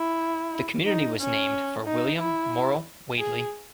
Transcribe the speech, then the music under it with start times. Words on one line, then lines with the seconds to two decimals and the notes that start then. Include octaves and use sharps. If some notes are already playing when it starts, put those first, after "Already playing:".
The community was named for William Morill Wadley.
Already playing: E4
0.87 D#4
1.21 C#4
1.86 D#4
2.19 E4
3.19 G#4